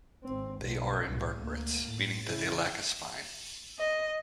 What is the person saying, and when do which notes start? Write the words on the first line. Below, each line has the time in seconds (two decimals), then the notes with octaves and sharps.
They are invertebrates, meaning that they lack a spine.
0.24 G#1 C4
0.57 B1 B2
1.07 C2 A2
1.42 D2 A#3
1.83 A2
2.26 C#3 E4
3.79 D#5